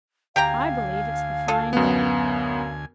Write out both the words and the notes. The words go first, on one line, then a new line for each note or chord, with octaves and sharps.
I believe it's the fine day.'
D2 G4 F5 G5 G#5 A#5
F4 A4
F#2 B3 F5